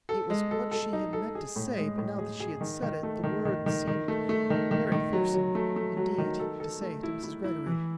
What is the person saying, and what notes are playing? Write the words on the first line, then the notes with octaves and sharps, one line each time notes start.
It was what she had meant to say, but now that she had said it, the words seemed very fearsome indeed--to say to Mrs. Greggory.
A4
G#3
A4
A4
D#4
A4
G#4
A2
G#3
A2
G#4
G#4
D#3
D#3
A3
D#3
D#3
D#3
D#3
A3
A3
D#3
D#3
D#3
F#3
F#3
A3
A3
F#3
D#3
A4
A4
A3
E4
E4
E4
E3